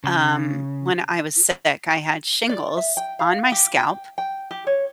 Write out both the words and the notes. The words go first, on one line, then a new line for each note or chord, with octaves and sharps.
um, when I was sick. I had shingles on my scalp,
C#3
D5
E5
G5
F5
G4
G5
G5
G4
C#5